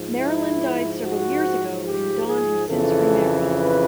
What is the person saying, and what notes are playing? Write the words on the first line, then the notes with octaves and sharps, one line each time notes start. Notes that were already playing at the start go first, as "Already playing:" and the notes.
Marilyn died several years ago and Don has since remarried.
Already playing: G#2 F3
E4
F#4
G4
G#4
F2 C#3 E3 A4
B4